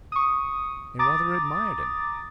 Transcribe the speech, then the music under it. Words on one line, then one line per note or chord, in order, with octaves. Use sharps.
They rather admired him.
C#6 D#6
A#5 D6 D#6 A6